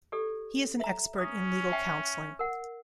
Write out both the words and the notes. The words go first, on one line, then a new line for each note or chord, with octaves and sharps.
He is an expert in legal counseling.
G4 A4 D5
E5 A#5
C#4 D#6
E5 G5
A#4 F#5